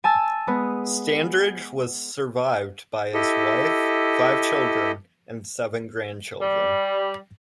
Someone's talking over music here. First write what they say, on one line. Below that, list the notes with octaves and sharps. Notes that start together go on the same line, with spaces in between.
Standridge was survived by his wife, five children, and seven grandchildren.
G#5 A5 E6 A6
G#3 B3 G#4
E4 G4 A4 D#5
G3